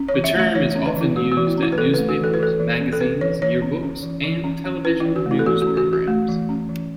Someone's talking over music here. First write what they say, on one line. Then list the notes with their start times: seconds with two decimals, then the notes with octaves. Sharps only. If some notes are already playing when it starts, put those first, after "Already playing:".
The term is often used at newspapers, magazines, yearbooks, and television news programs.
Already playing: C#4
0.09 C#5
0.14 E3
0.24 E5
0.34 A3
0.40 E5
0.55 E3 C#5
0.71 C#5
0.75 C#4
0.86 B4
0.96 E3 E4
1.16 A3 F#4
1.32 F#4
1.37 E3
1.47 E4
1.58 C#4
1.63 E4
1.72 B4
1.78 E3 A4
1.94 B4
1.98 A3
2.09 F#4
2.19 E3 A4
2.34 B4
2.39 E3 A4
2.60 E3
2.80 C#4
2.93 A4
3.00 C#4 B4
3.21 E3 C#5
3.42 E3 C#5
3.62 C#4
3.83 C#4
4.03 E3
4.24 E3
4.44 C#4
4.64 C#4
4.85 C#4 B4
5.00 E4
5.05 E3
5.16 F#4
5.26 A3
5.31 E4
5.39 A4
5.46 E3 F#4
5.62 F#4
5.67 C#4
5.77 F#4
5.88 E3
5.93 F#4
6.08 A3
6.28 E3
6.49 C#4
6.69 E3